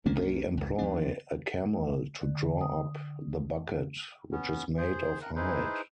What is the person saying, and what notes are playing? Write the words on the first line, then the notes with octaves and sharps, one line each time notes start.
They employ a camel to draw up the bucket, which is made of hide.
C2 A#3 C#4 D4
C#2
D#2 F3 B3 D4
D3
D#6
B3 C#4
G#4 C5
A#4 F#6
D#4 E4 G#4 B4 C5